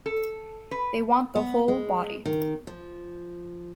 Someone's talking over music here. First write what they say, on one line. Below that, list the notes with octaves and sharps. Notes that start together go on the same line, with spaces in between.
They want the whole body.
A4
B4
B3
G#3
D#3
F3